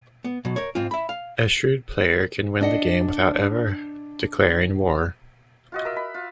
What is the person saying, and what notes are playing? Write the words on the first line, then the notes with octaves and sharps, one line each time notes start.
A shrewd player can win the game without ever declaring war.
B3
B2 F#3
A#4 C#5
G#2 C4 F4
E5 B5
F5
D4 D#5 F#5
F4 F#4 D#5
A#4 E5
B5
F4